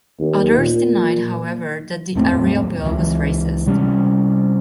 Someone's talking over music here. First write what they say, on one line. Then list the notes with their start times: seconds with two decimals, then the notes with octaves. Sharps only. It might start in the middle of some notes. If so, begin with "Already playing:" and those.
Others denied however that the Ariel Bill was racist.
0.19 D#2
0.56 A#2
2.15 E2 A2 A3 C4
2.62 D#2
2.85 C#2 E3
3.66 C3 G3 G#3 C#4